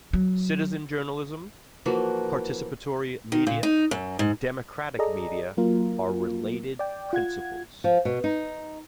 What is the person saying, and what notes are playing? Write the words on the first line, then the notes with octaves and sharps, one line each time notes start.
Citizen journalism, participatory media and democratic media are related principles.
F#3
E3 F3 A#3 F#4
D#3
A#2
D#4
F#2
G#2
G#4 A4 D5 D#5 A#5
F#3 A#3 F4 A#4
D5 G5
F4 F#5 G#6
F3
B2
D#4